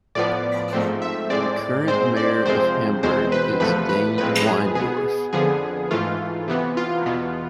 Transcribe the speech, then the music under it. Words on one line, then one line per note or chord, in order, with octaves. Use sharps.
The current mayor of Hamburg is Dane Weindorf.
A2 F3 B3 D5
G#2 F3 A3 C4
E5
A2 G#3 C4 D5
G#2 G#3 C4 C5
D5
F2 C3 F3 G#3 C4 C5
E2 B2 G#3 C4 C5
B4
E2 C3 F3 A3 B4
B4
A2 F3 G#3 C4 B4
G#4
B2 B3 G#4
F2 D3 F3 B3 G#4
G#2 E3 A3 F4
C3 E3 B3
F4
E2 B2 B3